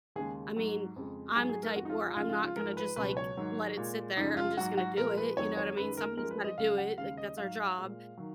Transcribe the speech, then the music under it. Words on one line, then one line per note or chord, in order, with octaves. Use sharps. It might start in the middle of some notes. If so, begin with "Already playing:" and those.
I mean, I'm the type where I'm not gonna just, like, let it sit there, I'm just gonna do it, you know what I mean? Somebody's gotta do it, like, that's our job,
D#2 C#3 G#3 G#4
G#2 F#3
F2 C#3 G#3
G#2 F#3 G#4
G#4
A#4
F2 F3 G#3 F#4
D#4
F4
F4
C#2 C#3 F3 G#3 F4
F4
F4
G#2 F3 G#3 A#4
B4
C#2 B2 F#3 B4
C#5
G#2 D#3 F#3
A#2 G#3
F#2 C#3 F3 G#3 D#4
F4
G#2 F#3 F#4
F#4
A#2 F3 G#3 A#4
B4
F2 D#3 F#3 C#5
C#5
F#2 D#3 G#3 B4
A#4
F#2 F3 G#3 A#4
B4
D#5
C#2 C#3 F#3 F5
F#5
D#2 C#3 G#3 F5
D#5
G#2 F#3 F5
A#2 G#3
D#3 F#3